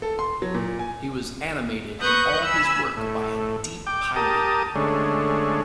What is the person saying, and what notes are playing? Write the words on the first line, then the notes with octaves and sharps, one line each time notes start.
He was animated in all his work by a deep piety.
A4
C6
F#3
A#2
G#5
B4 C#6 D#6 F#6 G6 A#6
G#5 B5 E6
A2
G5 D6
G4 A#4 A5 D#6
D3 G#3 A3 C#4